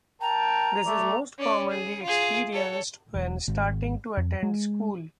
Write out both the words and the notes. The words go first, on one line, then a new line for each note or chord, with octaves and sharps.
This is most commonly experienced when starting to attend school.
A#4 G5 A5 A#5
A3 D5
C#4 D5
G#4
F4 G#4
A4 C#5
E1
G#1
F2
G#3